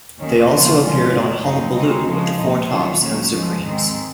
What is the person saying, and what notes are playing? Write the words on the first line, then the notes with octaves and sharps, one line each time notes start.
They also appeared on Hullabaloo with the Four Tops and the Supremes.
D#2 D#3 A#3 C#4
C#3 F3 A#3 F4
G#2 F3 G#3 C#4 F4
G#2 D#3 A#3
F#2 F3 C4 D#4
C#3 G#3 C4 D#4
C#3 F3 G#3
A#2 G#3 D#4
D#3 F#3 C#4 F4
A#2 F#3 A#3 C#4
G#2 F3 G#3
G#2 D#3 G#3 C4